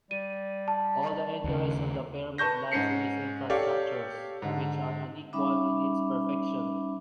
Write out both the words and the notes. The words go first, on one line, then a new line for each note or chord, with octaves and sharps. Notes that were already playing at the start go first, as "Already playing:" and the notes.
All the interest of the pyramid lies in its infrastructures, which are unequalled in its perfection.
G3 D#7
A5
D#2 C#3
B4 A5 C#6 G6 A#6
G#2 C#4 C7 C#7
G4 A4 C#5 D5 F5
G#2 D3
G3 C#4 D#4 E5 B5 D6